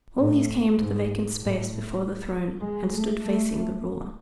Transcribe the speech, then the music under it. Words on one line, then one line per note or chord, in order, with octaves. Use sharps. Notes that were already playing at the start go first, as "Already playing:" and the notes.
All these came to the vacant space before the throne and stood facing the Ruler.
A2
G#2
A2
G#3
A3
A3